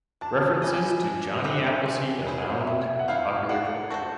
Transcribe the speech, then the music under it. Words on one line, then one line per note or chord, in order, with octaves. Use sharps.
References to Johnny Appleseed abound in popular culture.
D4 A5
G4 B4 D#5 G#5
D4
G4 B4 D#5
C4
E4 G#4 C5
C4 E5
F#5
E4 G#4 C5 F5
D4 F#5
F#4 A4 C5 A5